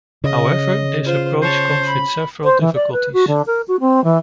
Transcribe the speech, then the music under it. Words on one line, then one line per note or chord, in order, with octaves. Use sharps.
However, this approach comes with several difficulties.
C#3 D#5
F4 C5
C5 C#5 A5
B5
C5
E3
D5
B4
F#4
D3
A#4
F#4
C4
E3